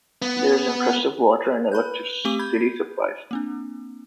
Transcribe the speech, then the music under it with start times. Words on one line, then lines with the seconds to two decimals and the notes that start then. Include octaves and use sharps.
There is impressive water and electricity supply.
0.22 B3
1.72 B4 B5 F#6 G6
2.25 A3 C4 G4 D6 D#7
2.39 B5 G6 G#6
3.31 A#3 C4 D4